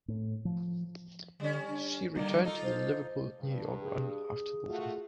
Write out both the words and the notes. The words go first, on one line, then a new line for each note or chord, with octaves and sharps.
She returned to the Liverpool - New York run after the war.
A2
F3
D3 G3 C#4
D4
D3 D#3 G3 A#3
D#4 F4 A4 D#5
C5
G2
G#4
A3 F4 F#4